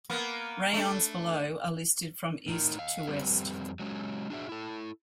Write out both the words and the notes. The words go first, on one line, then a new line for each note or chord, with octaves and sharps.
Raions below are listed from east to west.
A#3 B3
A3 D4
A2 D#4 A#4
D#5 F5
F2 G3 C4 G4 B4
F#3 G#3 C#4
D4 F#4 G#4 E5
E4 A4